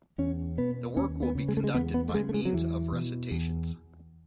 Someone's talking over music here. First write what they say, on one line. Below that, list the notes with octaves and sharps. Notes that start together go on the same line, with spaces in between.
The work will be conducted by means of recitations.
E2 C#4
B2 B3
D#2 C#4
B3
C#3
G#3
A3
G#3
E2 B3
B3
A3
C#3 G#3
A3
G#3
F#3
E2 E3
B2
E2